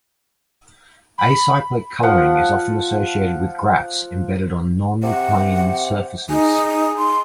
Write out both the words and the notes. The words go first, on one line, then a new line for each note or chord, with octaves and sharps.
Acyclic coloring is often associated with graphs embedded on non-plane surfaces.
B5
F3 F#5
C3 F#5
D#4 G#4
C6